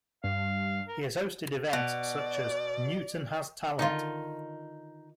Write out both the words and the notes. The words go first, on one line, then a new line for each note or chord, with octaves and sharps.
He has hosted events such as Newton Has Talent.
G2 F5
A#4
B2 D5
D3 D#3 D#4 F4